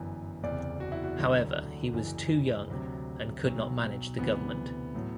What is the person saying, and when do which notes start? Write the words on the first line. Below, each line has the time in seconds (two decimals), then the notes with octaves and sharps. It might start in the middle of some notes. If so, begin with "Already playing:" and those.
However, he was too young and could not manage the government.
Already playing: G1 F#2 E3
0.43 F#1 E2 C3 E3 D5
0.80 F#4
0.92 E4
1.04 F#4
1.18 D2 D3 F#3
1.93 F#1 F#2 E3
2.68 D2 C3 F#3
3.44 B1 B2 F#3
4.18 D2 C3 E3 B3
4.95 A2 F#3